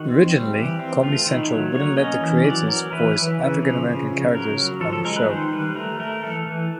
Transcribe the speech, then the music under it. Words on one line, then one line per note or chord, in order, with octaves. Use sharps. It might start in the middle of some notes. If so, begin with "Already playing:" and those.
Originally Comedy Central wouldn't let the creators voice African-American characters on the show.
Already playing: D#3 F#4
C4
G3
E3 G4
C4
A3 F4
D#3 E4
F#3
A#3 C#5
C#4 D#5
E3
F#3 D5
F#3 A#4
E3 B4
E3
C#3
F3
C#3
C#3
F#3 A#4
F#3
F3 A4
A4
G#3 A#4
B4
D#3 C5
G3 B4
A3 A#4
A3 A#4
E3 A4
E3